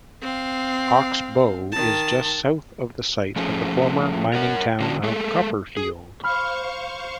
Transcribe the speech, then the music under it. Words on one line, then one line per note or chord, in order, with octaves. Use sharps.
Oxbow is just south of the site of the former mining town of Copperfield.
C4 F5
D#3 A5
F3 A3 C#4 G#4
A#4 C#5 F#5
D3 C#4 D4 F#4
G#3 A3 G#4 A4
G#4
C5 F5 B5 C#6 F6